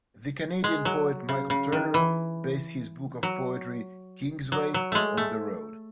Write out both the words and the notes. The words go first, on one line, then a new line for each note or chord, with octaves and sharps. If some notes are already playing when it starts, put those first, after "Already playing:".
The Canadian poet Michael Turner based his book of poetry, "Kingsway", on the road.
G#3
F#3
C#3
C#3
D#3
E3
F#3
F#3
F#3
G#3 A3
A3